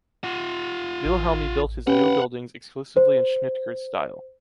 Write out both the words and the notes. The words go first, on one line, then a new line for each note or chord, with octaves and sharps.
Wilhelmy built his new buildings exclusively in Schnitger's style.
F4 F#5
A1
C#4 G4 B4 F#5 G5
C5